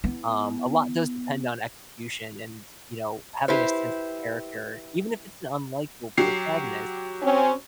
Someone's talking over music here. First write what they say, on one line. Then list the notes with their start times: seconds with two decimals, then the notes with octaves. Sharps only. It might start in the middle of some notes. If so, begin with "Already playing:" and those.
Um, a lot does depend on execution, and, you know, having a sense of character, even if it's an unlikeable protagonist.
0.04 B3 E4
3.48 E4 G4 B4 C5
6.17 F#3 G4 C7
7.22 C4 C#4